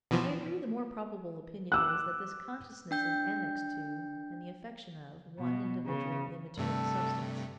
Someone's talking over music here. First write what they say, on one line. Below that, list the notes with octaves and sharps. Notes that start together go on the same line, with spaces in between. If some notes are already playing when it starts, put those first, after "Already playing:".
I agree, the more probable opinion is, that this consciousness is annexed to, and the affection of, one individual immaterial substance.
B2 E3 F3
D6 E6 F#6
D4 G5 G6
B2
C#3
G2 C3 A3 A4